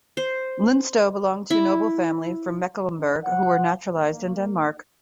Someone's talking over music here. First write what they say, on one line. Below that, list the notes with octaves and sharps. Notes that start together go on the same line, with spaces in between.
Linstow belonged to a noble family from Mecklenburg who were naturalized in Denmark.
C5
E4
D#4
F#5
A#3